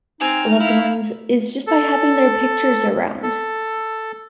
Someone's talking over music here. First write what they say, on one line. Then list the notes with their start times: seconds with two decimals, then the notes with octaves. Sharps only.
loved ones is just by having their pictures around.
0.21 C4 D#4 G#5 F6
0.60 E4 F5
1.67 A4
3.23 A4